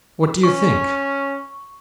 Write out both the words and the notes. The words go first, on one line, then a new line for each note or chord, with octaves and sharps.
What do you think?
C#4 C#6